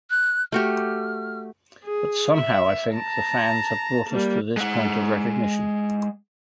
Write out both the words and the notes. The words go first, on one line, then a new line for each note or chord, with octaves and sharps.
But somehow, I think, the fans have brought us to this point of recognition.
F#6
A3 F#4 G4 F6
G#4
E5
A5 A#5
G3 A#3
G#3 F#5